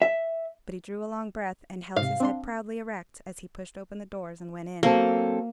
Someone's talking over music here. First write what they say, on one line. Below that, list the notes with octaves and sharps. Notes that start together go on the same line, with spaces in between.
But he drew a long breath, and held his head proudly erect as he pushed open the doors and went in.
E5
G#2 C3 F5
C4 D4 C6
F#3 A#3 C4 A4